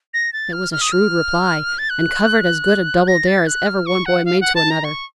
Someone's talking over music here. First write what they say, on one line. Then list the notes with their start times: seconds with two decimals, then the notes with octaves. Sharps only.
It was a shrewd reply, and covered as good a "double-dare" as ever one boy made to another.
0.14 A#6
0.33 A6
0.53 F6
0.72 F6
0.81 D#6
0.92 F6
1.78 A6
1.90 F#6
3.08 A#6
3.27 A6
3.47 F#6
3.67 F6
3.86 C#6
4.06 F#5
4.25 F5
4.41 F#5
4.55 A5
4.70 A#5
4.84 C#6